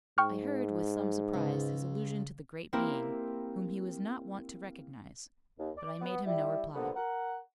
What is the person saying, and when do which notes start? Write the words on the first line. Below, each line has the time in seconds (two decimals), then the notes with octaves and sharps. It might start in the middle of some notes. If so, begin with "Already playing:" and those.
I heard, with some surprise, his allusion to the Great Being, whom he was not wont to recognise; but I made him no reply.
0.18 G#2 G5 C#6 F6
1.34 C#2
2.73 A#3 C4 E4 G4 A#4
5.58 D#2
5.77 D5
6.01 B3
6.26 G3 E4
6.75 D3 F3 G3 A#3 B3
6.95 A#4 F#5